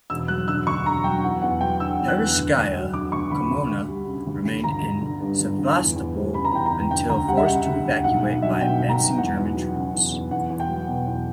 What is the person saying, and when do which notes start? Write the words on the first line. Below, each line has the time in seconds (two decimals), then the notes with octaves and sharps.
"Parizhskaya Kommuna" remained in Sevastopol until forced to evacuate by advancing German troops.
0.10 E1 E6
0.28 F#3 F#6
0.47 D3 E6
0.67 D2 C#6
0.85 E1 A#5
1.04 F#3 G5
1.23 E2 F#5
1.42 E2 F#5
1.61 F#3 G5
1.80 D3 E6
1.99 E2
2.08 F#6
2.17 E2
2.36 D2
2.55 D2
2.75 F#3
2.93 D3 D6
3.12 D2 C#6
3.31 D2 B5
3.50 D2
3.69 D2
3.88 G3
4.07 C#3
4.26 D2
4.45 D2
4.64 G1 A#5
4.82 G1
5.01 D3
5.21 G2
5.40 G1
5.59 G1
5.77 E2
5.96 E2
6.14 G3
6.33 C#3 B5
6.45 A#5
6.52 E2 G5
6.66 A#5
6.72 E2
6.91 D2 G5
7.09 D2 A#5
7.28 G3 F#5
7.37 E5
7.46 C#3 F#5
7.66 D2
7.85 D2
8.04 B1 F#5
8.23 B1
8.42 F#3 E5
8.61 B2 G5
8.80 B1
8.89 A#5
8.99 B1
9.18 E2 F#5
9.37 E2
9.55 F#3
9.75 C#3
9.93 E2
10.12 E2
10.31 E2 F#5
10.50 E2
10.60 G5
10.68 F#3
10.88 B2
11.07 E2